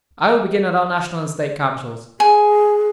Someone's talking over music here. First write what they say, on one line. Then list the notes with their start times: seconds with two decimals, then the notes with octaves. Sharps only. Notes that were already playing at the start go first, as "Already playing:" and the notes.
I will begin at our national and State capitals.
2.20 G#4 G#5